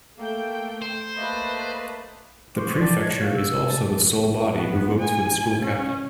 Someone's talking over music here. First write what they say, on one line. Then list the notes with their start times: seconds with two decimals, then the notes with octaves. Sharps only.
The Prefecture is also the sole body who votes for the School Captain.
0.18 A3 A#3 G5
0.82 C5
1.16 A3 A#3 B4 D#5 A5 B5
2.55 C5 C#6 D6
2.79 D5 G5 A5 D6
2.99 C#5 D#5 G#6
3.21 F#4 F5
3.36 E6
3.65 D5 G#5 A5
4.55 B3
4.99 G#5
5.62 C#4